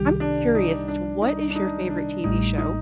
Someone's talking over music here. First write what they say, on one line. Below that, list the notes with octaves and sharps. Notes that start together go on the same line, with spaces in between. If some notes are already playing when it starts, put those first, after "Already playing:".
I'm curious as to what is your favorite TV show?
Already playing: C2 C3 D#3 G3 G4
D4
D#4
D4
D#4
D4
D#4
D4
A1 A2 G3 D#4
D#4